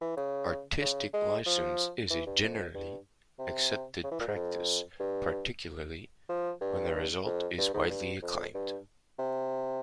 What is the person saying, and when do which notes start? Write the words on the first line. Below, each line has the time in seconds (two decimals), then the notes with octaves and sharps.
Artistic license is a generally accepted practice, particularly when the result is widely acclaimed.
0.01 E3
0.17 C#3
0.81 C#3
1.13 G#3
1.46 F3
2.10 E3
2.26 G2
2.42 F2
2.74 G2
3.39 C3
4.04 C#3
4.11 E3
4.20 A#2
4.28 G#2
4.35 F2
5.00 G2
6.29 F3
6.61 G2
7.25 F2
7.58 G2
7.74 G#2
7.90 G2
8.22 F2
8.54 G2
9.19 C3